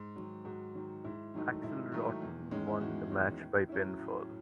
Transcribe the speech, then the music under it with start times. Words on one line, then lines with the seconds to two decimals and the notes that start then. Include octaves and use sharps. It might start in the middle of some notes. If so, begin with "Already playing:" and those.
Axl Rotten won the match by pinfall.
Already playing: G#2
0.16 D#3 F#3
0.45 G#2 F#4
0.75 D#3 F#3
1.04 G#2 E4
1.34 D#3 F#3 A3 D#4
1.63 G#2 E4
1.92 D#3 F#3 A3 D#4
2.22 E2
2.51 D#3 G#3 C#4
2.67 E4
2.81 E2 F#4
3.10 D#3 G#3 C#4
3.39 A2
3.69 F#3 C#4 E4
3.98 A2